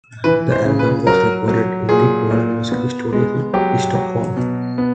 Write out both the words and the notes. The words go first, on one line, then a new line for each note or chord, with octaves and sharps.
The album was recorded in the Polar Music Studios in Stockholm.
E3 B4
C5
C#3
B4
F#3 A#4
F#3
A#2 G#4
A#2
B3
G#3
F#3 G4
F#3
B2
B3